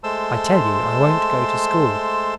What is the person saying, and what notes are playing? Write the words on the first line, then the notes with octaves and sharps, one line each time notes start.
"I tell you I won't go to school."
G#3 A3 C5 A5 C6 E6